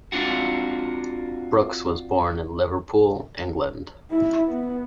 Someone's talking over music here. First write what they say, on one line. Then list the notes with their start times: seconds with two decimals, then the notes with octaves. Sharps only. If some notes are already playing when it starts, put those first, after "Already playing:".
Brooks was born in Liverpool, England.
0.12 C4 D4 F4 F#4
4.10 E4
4.47 B3